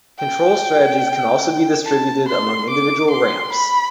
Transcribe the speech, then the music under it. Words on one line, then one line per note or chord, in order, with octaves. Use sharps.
Control strategies can also be distributed among individual ramps.
G5
A5
C6
D6
C6
B5